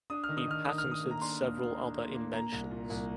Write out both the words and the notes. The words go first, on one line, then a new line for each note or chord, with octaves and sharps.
He patented several other inventions.
D4 D#6
F6
D#3
D#6
D#3 F6
D#3 D#6
F6
D#3
D#6
A#3
A#5
D4 C6
D#2
D#2
D4
A#3
A#3
A#3 A#5
C2
A#2
C2